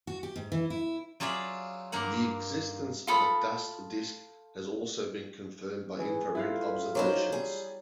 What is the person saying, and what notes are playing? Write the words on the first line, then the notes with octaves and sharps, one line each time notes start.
The existence of a dust disk has also been confirmed by infrared observations.
F#4
G4
G#2
E3
E4
F#3 F4 G#4 D5 E5
G2 A#3 A#4 F#5
F4 A4 B5 D#6
E3 G#4
A2 E4 F4 B4 F5
F#3 D#4 G#4 C5 D5
G3 G#4